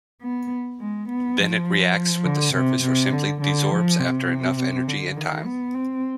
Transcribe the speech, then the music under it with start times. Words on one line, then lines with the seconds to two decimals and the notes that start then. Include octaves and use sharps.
Then it reacts with the surface or simply desorbs after enough energy and time.
0.22 B3
0.80 G#3
1.09 B3
1.38 F3
2.25 D3
2.54 C3
2.83 C3
3.12 D3
3.42 D3
3.71 F3
4.00 C3
4.88 D3
5.16 D#3
5.45 B3
5.74 C4